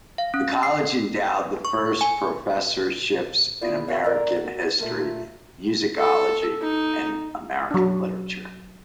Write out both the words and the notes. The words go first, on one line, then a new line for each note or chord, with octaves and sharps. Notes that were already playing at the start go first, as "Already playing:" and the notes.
The College endowed the first professorships in American history, musicology, and American literature.
F5
C#4
C7
C#6
G#5
B3 E4 F4 G#4 C5 D5
F#4 A#4 C#5 E5 F5
A#4 D5 A#5
F#4 A#4
F#2 A#2 A3 A#3 F4 E5
A4
D#4
F#3 D4